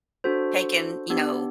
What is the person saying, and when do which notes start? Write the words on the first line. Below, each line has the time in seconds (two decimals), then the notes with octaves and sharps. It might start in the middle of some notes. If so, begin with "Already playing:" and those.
taken, you know,
0.24 D4 F#4 A4 C5
1.10 B3 D4 G4